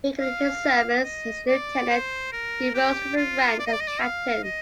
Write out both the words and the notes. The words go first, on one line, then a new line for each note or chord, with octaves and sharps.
Beginning his service as a lieutenant, he rose to the rank of Captain.
F5
D#5
D5
C5
A#4
G4
F4
D5
D#5
D5
D#5
D5
F5
D#5